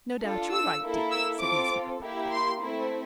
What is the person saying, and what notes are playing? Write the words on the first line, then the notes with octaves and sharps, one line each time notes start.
"No doubt you're right, dear," said Miss Mapp brightly.
D4 F4 A4
E6
A#3 E4 A4
E6
C4 F4 A4 D6
A#3 E4 G4
C6
A3 C4 E4